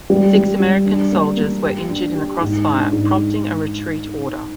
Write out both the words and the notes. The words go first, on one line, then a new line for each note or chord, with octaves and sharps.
Six American soldiers were injured in the crossfire, prompting a retreat order.
G3
G3
G3
D4
A#3
A#3
G4
D4
G4
G#2
D4
G#2